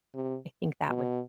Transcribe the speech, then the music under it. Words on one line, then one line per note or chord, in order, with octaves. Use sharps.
I think that would
C3
B2